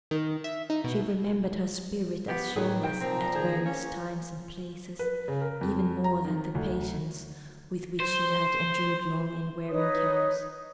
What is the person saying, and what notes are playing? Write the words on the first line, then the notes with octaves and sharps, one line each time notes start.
She remembered her spirit, as shown at various times and places even more than the patience with which she had endured long and wearing cares.
D#3
E5
D#4
B2
B3 G4
A2 D#3 F3 G#4 B4 C#5
C3 D#4 A#4 C5 G5
A#2 F3 C4 A#5
D#3 G#4 C5
A#3 C#4
B4
C#3
A#4
F2
A#5
D#3
D2
C5
D#4 B4 C#5 D#6